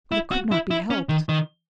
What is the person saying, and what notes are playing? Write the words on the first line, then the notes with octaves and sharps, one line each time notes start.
But it could not be helped.
E4
F#4
E4
E4
C#4
D#3
D#3